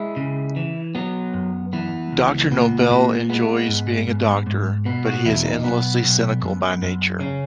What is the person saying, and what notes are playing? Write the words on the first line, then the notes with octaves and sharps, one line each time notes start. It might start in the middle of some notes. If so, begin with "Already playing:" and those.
Doctor Noble enjoys being a doctor, but he is endlessly cynical by nature.
Already playing: G#3 E4
C#3
E3
F#3 B3
F#2
E3 B3
C#2
A#2 B3
A#2
G#3 B3
G#2
G#2
G#2
B2 B3
F#4
E2 E4
D#4
B1 B3
B1
F#2
F#2
C#3 C#4